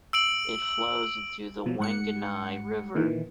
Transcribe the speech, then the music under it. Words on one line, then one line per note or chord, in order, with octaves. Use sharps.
It flows into the Wanganui River.
E6 D7 F#7
B2 F3 F#3
G#2 F#5 C#7
A#2 D#3 E3